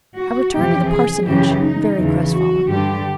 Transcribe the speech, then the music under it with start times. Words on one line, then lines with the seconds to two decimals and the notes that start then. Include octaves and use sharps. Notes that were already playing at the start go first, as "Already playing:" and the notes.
I returned to the parsonage, very crestfallen.
0.20 F#4
0.55 F2 C3 E3 G4
0.90 G#4
1.26 F#2 C#3 E3 G4
1.62 D#4
1.97 E2 C#3 E3
2.33 F#4
2.68 G2 D3 G4